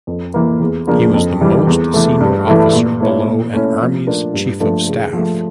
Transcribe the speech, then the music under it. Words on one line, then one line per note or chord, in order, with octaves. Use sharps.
He was the most senior officer below an Army's Chief of Staff.
F2
E3 A#3
E2
C#3 F3 A#3 D4
F2
E3 G3
E2
E3 A3
G2
E3 A3 E4 A4
A#2
A3 E4 A4 C#5
A#2
A3 C#4 E4
F3
A3 D4 F4 A#4
G2
F3 A3 D4 A4
C#3
F3 A3